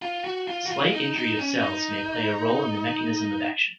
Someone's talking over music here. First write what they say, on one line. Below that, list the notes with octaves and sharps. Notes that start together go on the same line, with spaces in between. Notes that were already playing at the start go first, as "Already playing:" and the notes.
Slight injury of cells may play a role in the mechanism of action.
F4
F#4
F4
F#4
F4
D#4
D#4
C#4
D#4